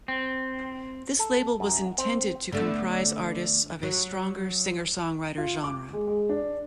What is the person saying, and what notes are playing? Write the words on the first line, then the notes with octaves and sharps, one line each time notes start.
This label was intended to comprise artists of a stronger singer-songwriter genre.
C4
A4
F#2
C4
D3 A3 B3
F#3
F4
D6
G#3
G#3
D4